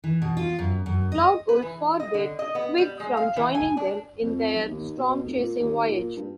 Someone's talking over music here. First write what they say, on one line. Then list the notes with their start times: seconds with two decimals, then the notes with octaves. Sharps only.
Cloud Wolf forbade Twig from joining them in their stormchasing voyage.
0.04 E3
0.22 B2
0.37 F4
0.59 F#2
0.86 F#2
1.12 D#5
1.49 B4
1.62 E3
2.00 D#5
2.14 D3
2.39 D#5
2.55 B3
2.78 G3
3.00 G#3
3.17 F5
3.36 E3
3.55 G#5
3.77 D4
4.21 F2
4.52 B1
4.68 D#2
4.97 B2
5.23 F1
5.37 A#2
5.60 D#2
5.88 A#2
6.16 G2